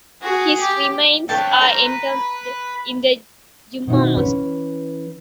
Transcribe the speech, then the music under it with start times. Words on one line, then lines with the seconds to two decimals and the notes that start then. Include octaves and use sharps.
His remains are entombed in the Jumah mosque.
0.22 F#4 G#4
0.61 G4
1.29 D4 B4 C#5 G5 A5
1.61 A#4 C5 A#5
1.85 B4
3.87 B2 D#3 C4 D#4 E4 F#4
4.17 E3 C#4 B4